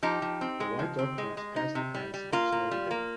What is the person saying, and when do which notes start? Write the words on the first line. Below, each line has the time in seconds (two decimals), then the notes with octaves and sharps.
A white dog runs past a fence on a snowy day.
0.03 F3 D#4 G4
0.22 F3
0.41 C4
0.60 G#3
0.79 F3
0.99 C4
1.18 G#3
1.37 G#3
1.56 D#4
1.75 C3
1.94 G3
2.14 G3
2.32 A#3 F4
2.52 A#3
2.71 G3
2.91 A#3